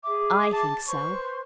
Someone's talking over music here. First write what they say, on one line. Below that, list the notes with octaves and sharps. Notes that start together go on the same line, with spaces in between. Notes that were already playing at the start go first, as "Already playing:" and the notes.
"I think so."
G#4 E5 D6
A5
B4 C5 C6 C#6